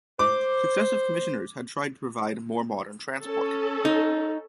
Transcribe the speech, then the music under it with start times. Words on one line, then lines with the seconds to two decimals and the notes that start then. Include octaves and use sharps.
Successive commissioners had tried to provide more modern transport.
0.19 C5 D6
3.23 C#4 A4
3.85 D#4